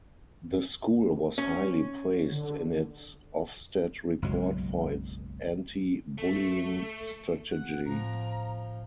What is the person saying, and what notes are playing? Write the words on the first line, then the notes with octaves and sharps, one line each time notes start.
The school was highly praised in its Ofsted report for its anti-bullying strategy.
C#4
D3
F#1 B1 F#3 G#3
A3
C4 F#5
A2 F3 A#5